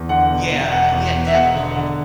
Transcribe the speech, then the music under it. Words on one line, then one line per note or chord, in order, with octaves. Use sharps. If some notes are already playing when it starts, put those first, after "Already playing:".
Yeah, uh, yeah, definitely.
Already playing: E2
D3 F#5
E1
E1
E1 F#5
E2
E1
E5
E1 F#5
D3
D3